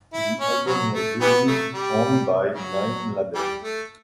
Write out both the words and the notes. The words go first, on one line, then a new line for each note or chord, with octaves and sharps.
The album was released on by Naim label.
E4
C#4
C#3 F#3
A3
E3 G3 B3
C#3 F#3 A3
G3
C#3 F#3
E3 G3
A3